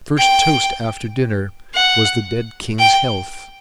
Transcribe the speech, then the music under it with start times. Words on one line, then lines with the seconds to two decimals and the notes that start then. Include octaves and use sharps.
The first toast after dinner was the dead king's health.
0.18 G5
1.75 F#5
2.79 G5